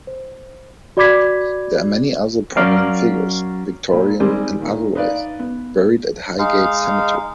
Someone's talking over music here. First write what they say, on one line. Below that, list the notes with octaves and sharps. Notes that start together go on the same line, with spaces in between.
There are many other prominent figures, Victorian and otherwise, buried at Highgate Cemetery.
C5
F#4 D5 B5 D6 G#6 B6
F#3 C#4 A#4 D5 F5
A#2 B5
D#3 G3 G#3 C4
A#2 D#3
D#4 B4 D5 F5
B3
G#3 D#4 F5